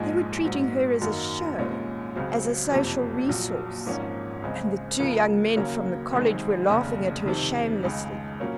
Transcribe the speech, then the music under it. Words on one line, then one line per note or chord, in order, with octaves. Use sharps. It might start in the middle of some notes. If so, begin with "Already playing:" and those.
They were treating her as a show, as a social resource, and the two young men from the College were laughing at her shamelessly.
Already playing: A#1 G#2 F3 G#3
A#1 G#2 F#3
F#2 D#3 F#3 A#3 D#4
C2 A#2 G#3 C#4
C#2 C#3 F#3 C4
F#1 F2 C3 F3
A#1 A#2 F#3
G#1 G#2 F3 A#3 C#4
C#2 C#3 G#3 C4
C#2 C#3 F3 A#3
D#2 C#3 F#3 A#3 C#4
C2 C3 D#3 G#3 C4
F1 D#2 C#3
F2 C3 D#3
C#2 C#3 G#3
A#2 F#3 A#3 C#4